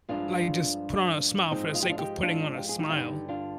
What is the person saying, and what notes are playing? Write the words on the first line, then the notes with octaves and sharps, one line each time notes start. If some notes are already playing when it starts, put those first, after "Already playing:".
like, just put on a smile for the sake of putting on a smile
G2 F3 G#3 D4 F4
G#2 F3 G#3 C4 D#4
F4
G4
D4 F4
D#4 G4
D4 F4
G4
G#4
D#4 G4
F4
G2 D3 G3 D#4 G4
D4 F4